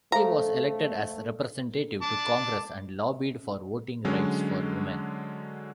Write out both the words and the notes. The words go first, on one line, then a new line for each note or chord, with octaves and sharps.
He was elected as representative to congress and lobbied for voting rights for women.
A3 A4 C5 F5 A#5
A5 D6
D3 F#3 G#3 C#4